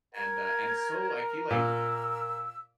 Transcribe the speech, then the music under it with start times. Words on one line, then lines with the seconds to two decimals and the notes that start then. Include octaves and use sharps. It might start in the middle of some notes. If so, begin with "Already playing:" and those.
and, uh and it's so I feel like
0.15 A#4 G#6
1.50 A#2 E6